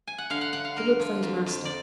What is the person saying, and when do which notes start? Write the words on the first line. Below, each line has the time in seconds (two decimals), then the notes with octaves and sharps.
He looked for his master.
0.07 G#5
0.18 F#5
0.30 D3 F5
0.41 F#5
0.53 D3 F#5
0.65 F5
0.77 A#3 A#4
1.00 F3
1.23 F2
1.46 F2
1.65 D5